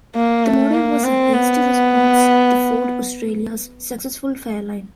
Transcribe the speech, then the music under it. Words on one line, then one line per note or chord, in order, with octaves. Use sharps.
The model was a hasty response to Ford Australia's successful Fairlane.
A#3
A3
A#3
C4
B3